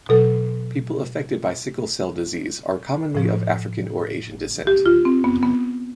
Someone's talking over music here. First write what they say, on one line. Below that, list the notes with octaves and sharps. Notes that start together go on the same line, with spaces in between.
People affected by sickle cell disease are commonly of African or Asian descent.
B2 F#3 A4
A2 F3
G4
F4
C4
B3
B3